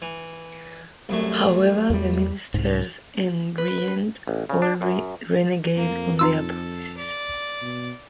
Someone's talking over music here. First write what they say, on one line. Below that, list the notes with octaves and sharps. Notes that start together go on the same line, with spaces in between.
However the ministers and regent all renegade on their promises.
E3
C2 F#2 A3
E2 G3
C2 G#2
B4
A1
C#3
D4
F#2
F2 A#3
D#4 F4 A4 E6
D5
B2